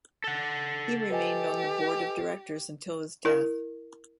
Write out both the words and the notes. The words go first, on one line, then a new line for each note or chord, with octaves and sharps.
He remained on the board of directors until his death.
A4 F#5
G4 B4 D#5 G#5
E4 A#4